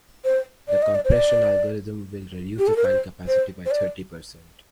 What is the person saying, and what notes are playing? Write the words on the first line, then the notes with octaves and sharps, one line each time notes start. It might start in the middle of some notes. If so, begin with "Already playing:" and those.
The compression algorithm will reduce the file capacity by thirty percent.
C5
D5
D#5
D5
C5
D5
G4
A4
A#4
C5
C5
C5
D5